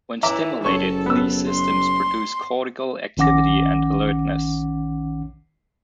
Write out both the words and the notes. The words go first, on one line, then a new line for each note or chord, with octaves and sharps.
When stimulated, these systems produce cortical activity and alertness.
E3 E5 A#5 D6
F#1 A4 C#5 C#6
B3 E6
C6
A#1 D#3 C#4 F#5 D6 A#6